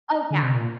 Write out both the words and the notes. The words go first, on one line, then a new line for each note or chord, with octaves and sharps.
oh, yeah,
D3
C3
A#2